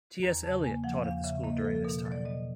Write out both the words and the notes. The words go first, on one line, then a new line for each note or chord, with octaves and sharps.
T. S. Eliot taught at the school during this time.
E2 A#5
C#3 A5
A#3 G#5
F3 F#5
E2 F5
C#3 E5
A#3 D#5
A4
F3
A4
B2 A#4
F#3
D5
B2 D#5